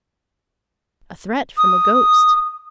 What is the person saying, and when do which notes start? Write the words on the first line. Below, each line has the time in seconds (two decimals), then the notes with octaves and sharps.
A threat from a ghost!
1.58 D#6